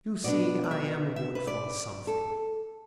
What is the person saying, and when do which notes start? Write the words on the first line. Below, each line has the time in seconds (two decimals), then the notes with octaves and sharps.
"You see I am good for something."
0.24 B2 B3 D4 D5
0.64 D5
0.71 E5
1.16 E5
1.35 B4
1.47 D5
2.07 A4